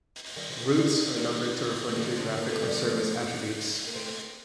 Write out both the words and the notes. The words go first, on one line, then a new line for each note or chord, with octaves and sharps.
Routes are numbered to reflect geographic or service attributes.
D#3 G3
D3 F3
D#3
D3
D#3
D#3 G3
A3
D#3 G3
D3 F3
A#3
A3
G3
F3 A3
A#3
A3 C4